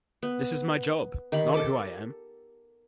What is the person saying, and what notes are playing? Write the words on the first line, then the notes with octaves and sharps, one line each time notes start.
This is my job, not who I am.
B3
D#3 G4 A#5 B5
A4 D6